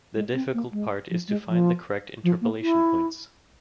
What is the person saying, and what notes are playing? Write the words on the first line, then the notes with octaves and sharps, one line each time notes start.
The difficult part is to find the correct interpolation points.
G#3
C4
A#3
G#3
F3
G#3
F3
F3
A#3
E4